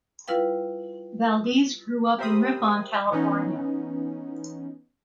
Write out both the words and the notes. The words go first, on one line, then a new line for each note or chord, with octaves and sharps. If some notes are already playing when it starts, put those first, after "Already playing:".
Valdez grew up in Ripon California.
G3 E4 F4 B4 F5 G5
G4 A#4 C5 E5 B5 D#6
E3 B3 C#4 D#4